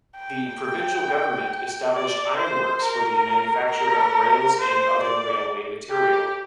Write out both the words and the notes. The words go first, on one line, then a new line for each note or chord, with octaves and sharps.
The provincial government established ironworks for the manufacture of rails and other railway material.
G5
D5
C5
A#4
A#4
C5
D5
G4